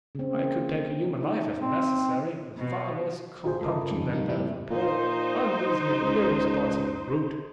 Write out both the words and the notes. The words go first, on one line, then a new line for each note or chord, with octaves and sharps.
I could take a human life, if necessary, with far less compunction than that of a poor, unreasoning, irresponsible brute.
C#3 C4
A#3
D#4
C4
B2
A#1 F4 G#4 C5
G2 C#3 A4 A#4 D#5
F2 D#3
G3 A#3 D#4
G3 C4 E4
A#2 D#4 C5
C#2